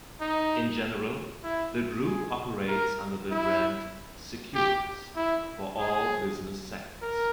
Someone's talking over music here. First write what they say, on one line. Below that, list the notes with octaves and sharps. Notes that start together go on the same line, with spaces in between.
In general, the group operates under the brand Securitas for all business segments.
D#4
E4
G#4
A#4
E4
G4
E4
G#4
A#4